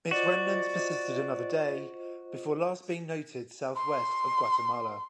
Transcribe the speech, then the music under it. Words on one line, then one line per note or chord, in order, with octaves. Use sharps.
Its remnants persisted another day before last being noted southwest of Guatemala.
F4 F#4 C5 D5 D#5
C6